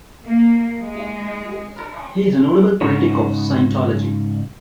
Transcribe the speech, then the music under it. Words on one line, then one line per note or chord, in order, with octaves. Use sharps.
He is a notable critic of Scientology.
A#3
G#3
G#2 C#3 C#4 D#4 F#4 C#5